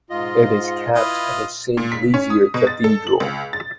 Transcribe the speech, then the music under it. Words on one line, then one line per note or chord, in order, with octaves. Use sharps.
It is kept at the Saint-Lizier cathedral.
G#2 F4 D#5
E4 F4 B4 D#5
A#2
B6
C#4
D#6
B2
A6
A4
F#7
C#2
A6